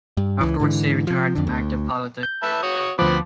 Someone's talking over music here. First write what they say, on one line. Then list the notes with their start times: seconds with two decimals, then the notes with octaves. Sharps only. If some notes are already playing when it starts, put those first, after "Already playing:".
Afterwards, he retired from active politics.
0.17 G2
0.41 C#2 E3
0.60 G#2 D3 E3
1.07 C3 F3
1.35 F2 D3
1.47 D2
2.23 G6
2.43 B4 E5 A5
2.62 F#4 C#5 D#6
2.99 D2 F3 B3 C4 B5 D6